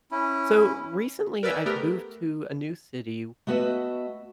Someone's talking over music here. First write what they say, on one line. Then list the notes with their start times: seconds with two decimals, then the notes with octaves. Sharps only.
So, recently I've moved to a new city,
0.11 C#4 E4
1.43 A#4 B4 D5 E5 G5 G#5
1.66 A3 B3 G4 A#4 B4 E5
3.47 A3 B3 F#4 B4 D#5 E5